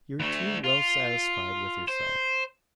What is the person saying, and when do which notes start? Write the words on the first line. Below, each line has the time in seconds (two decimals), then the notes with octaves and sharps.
You're too well satisfied with yourself.
0.20 D2 A3
0.64 F4
1.88 C5